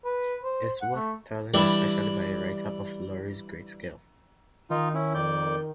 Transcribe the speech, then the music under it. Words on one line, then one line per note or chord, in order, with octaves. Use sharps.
It's well worth telling, especially by a writer of Lowry's great skill.
B4
C5
F#5
A3
E3 G3 D4 E4
D#3 D#4 F4
C#4 E4
F2 D5 G6